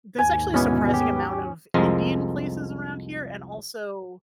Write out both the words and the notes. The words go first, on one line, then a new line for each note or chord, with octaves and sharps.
there's actually a surprising amount of Indian places around here and also
D#2 G#2 G#5
B2 E3 G#3 B3 C#4
G4
C2 F2 F3 G#3 A#4